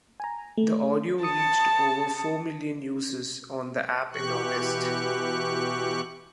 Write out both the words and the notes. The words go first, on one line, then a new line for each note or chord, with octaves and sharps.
The audio reached over four million uses on the app in August.
G#5 A#5
A3
A5 D#6 C#7
B2 E3 G4 C#6 F#6